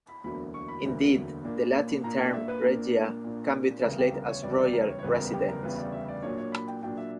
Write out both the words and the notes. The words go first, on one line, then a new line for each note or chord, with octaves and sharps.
Indeed, the Latin term "regia" can be translated as "royal residence".
B5
E1 D2 D3 F#3 A#3 B5
C#6
B5
E1 D2 D3 F#3 A#3
A#2 A#3 D4
A#2 A#3 D4 A#5
G5
D5
E5
B4
A#2 A#3 D4 A#4
A#2 A#3 D4
E1 D2 C#3 G3 B3 A#4
G4
A#4
C#5
E1 D2 C#3 G3 B3 D5
D5
A#4
C#5
C#5
E1 D2 C#3 G3 B3 B4
A#4
G4
A#4
E1 D2 C#3 G3 B3 B4
D5
E5
D5
A#2 F#3 A#3 D4 C#5
C#5
B5
G5
A#2 F#3 A#3 D4 G5
E5